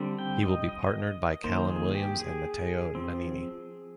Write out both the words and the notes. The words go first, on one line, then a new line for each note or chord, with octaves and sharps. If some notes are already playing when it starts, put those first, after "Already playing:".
He will be partnered by Calan Williams and Matteo Nannini.
Already playing: D3 G3 C4
G5
D#5
D#5
D#3 A#3 C5
G#4
G4
G#4
F3 C4